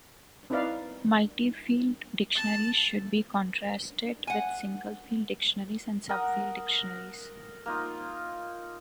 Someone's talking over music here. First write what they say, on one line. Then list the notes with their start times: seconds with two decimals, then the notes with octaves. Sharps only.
Multi-field dictionaries should be contrasted with single-field dictionaries and sub-field dictionaries.
0.50 C4 D#4 E4 B4 D5 F5
2.35 A5
4.27 F#5 G#5
6.09 A#4 F#5 D#6
7.66 A#3 D#4 F4